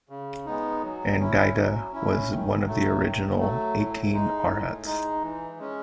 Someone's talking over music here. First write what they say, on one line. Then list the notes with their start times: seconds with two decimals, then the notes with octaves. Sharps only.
Angida was one of the original Eighteen Arhats.
0.09 C#3
0.46 G#3 B3 D#4
0.82 F#3
1.19 C#4 E4
1.56 F#3
1.92 C#4 E4
2.29 D#3
2.66 F#3 A3
3.02 D#3
3.39 F#3 A3
3.76 A2
4.12 G#3 D#4
4.49 A2
4.86 G#3 D#4
5.22 E3
5.59 G#3 C#4